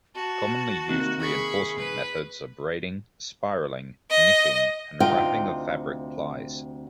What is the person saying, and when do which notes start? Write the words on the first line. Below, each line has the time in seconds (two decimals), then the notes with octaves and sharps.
Commonly used reinforcement methods are braiding, spiraling, knitting and wrapping of fabric plies.
0.15 F#4 A5
0.89 C3 D#3 A#3 F#6
1.21 G#4 B5 C#6
1.78 B4
4.11 D#5
5.00 D2 C3 D#4 F4 G5